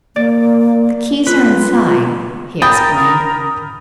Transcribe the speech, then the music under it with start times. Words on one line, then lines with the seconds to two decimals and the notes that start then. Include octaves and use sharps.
"The keys are inside," he explained.
0.16 A#3 D5
1.26 F4 B4
2.62 A#4 G5 B5 D#6 A6